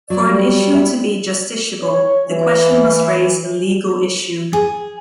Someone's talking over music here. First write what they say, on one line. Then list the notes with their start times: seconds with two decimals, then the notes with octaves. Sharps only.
For an issue to be justiciable the question must raise a legal issue.
0.10 F#3 D5
0.25 G3
0.74 E4
1.83 C#5
2.28 E3
4.53 G#4